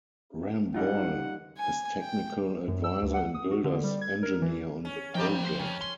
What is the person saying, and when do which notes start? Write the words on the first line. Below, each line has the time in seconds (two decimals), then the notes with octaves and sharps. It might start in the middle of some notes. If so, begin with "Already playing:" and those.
Ramboll is technical advisor and builder's engineer on the project.
0.74 G3 D#4 F4 F#5
1.58 G#5
2.02 G5
2.68 F#2
2.84 E6
3.02 D2
3.14 F#5
3.34 D#6
3.51 F#4
3.64 D3
3.84 G3
4.01 G#6
4.23 A#4
4.42 E3
4.85 C#4
5.15 D#3 F3 C4 G4 G5 B5
5.29 A2
5.45 A#3 C5
5.59 F2 C#4
5.81 C6